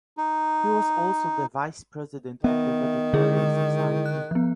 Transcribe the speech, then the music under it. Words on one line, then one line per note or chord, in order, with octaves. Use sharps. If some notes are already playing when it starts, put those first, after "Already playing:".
He was also the vice president of the Vegetarian Society.
D#4
D#3 B3 E5
D3 G#3 E4 G#4
F#6
F3 B3